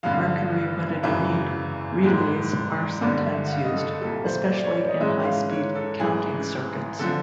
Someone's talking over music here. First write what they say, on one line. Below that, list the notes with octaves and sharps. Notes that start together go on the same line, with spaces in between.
Mercury-wetted reed relays are sometimes used, especially in high-speed counting circuits.
A1 G2 D3 F5
G#1 F#2 C#3 E3 E5
A#1 G#2 E3 G#3
G#1 G2 D3 D5
E5
F#5
F5
D#5
A4
A4
C2 A#2 G3 A4
C5
D5
C#5
D5
D#5
G#2 E3 G#3 C#4 E5
F5
C#5
A4
A1 G#2 E3 G#4
D3 F3 A4